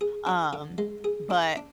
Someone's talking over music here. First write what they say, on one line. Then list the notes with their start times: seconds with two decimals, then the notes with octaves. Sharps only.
um but,
0.01 G#4
0.27 D4
0.53 D3
0.78 G#3
1.04 G#4
1.30 D4
1.57 D4